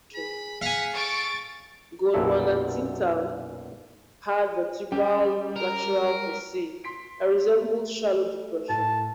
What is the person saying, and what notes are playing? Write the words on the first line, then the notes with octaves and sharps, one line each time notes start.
"Gondwanatitan" had vertebral lateral fossae that resembled shallow depressions.
G#4 B5
F5 F#5 G#5 B6
A4 C#6 A6 D7
B1 F#2 A#2 E4 A4 E5
G3 C#4 C#5 G5
A#4
C6 B6 D7
A3
A2 A5